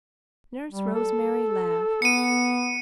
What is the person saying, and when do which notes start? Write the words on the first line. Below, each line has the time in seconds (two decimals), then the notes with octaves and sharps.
Nurse Rosemary laughed.
0.72 G3
0.94 A4
2.02 B3 C#7 D#7